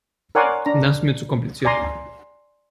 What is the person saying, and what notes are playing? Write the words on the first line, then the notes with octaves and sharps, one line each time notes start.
Das ist mir zu kompliziert.
A#4 C#5 D5 F#5 G#5 C6
D4 A#5
D5 G#5 A#5 C6